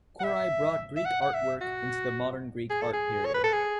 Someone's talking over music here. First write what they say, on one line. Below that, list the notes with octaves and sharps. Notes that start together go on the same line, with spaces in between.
Korai brought Greek artwork into the Modern Greek art period.
F#5
E5
E5
F#5
F#5
E5
F#4
G#4
A4
G#4
C#5
B4
A4
G#4